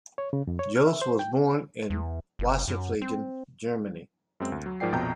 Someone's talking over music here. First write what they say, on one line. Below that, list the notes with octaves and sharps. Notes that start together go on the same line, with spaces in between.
Jooss was born in Wasseralfingen, Germany.
C#5
C#3
F2
C#5
F6
E5
C5
G5
E2
F#1
F#2
C4
F#2 G#3 C4
D2
F#3
G#2 F3 A#4 D5 G5 C7
A#1 F2 B2 G5 A#5 G6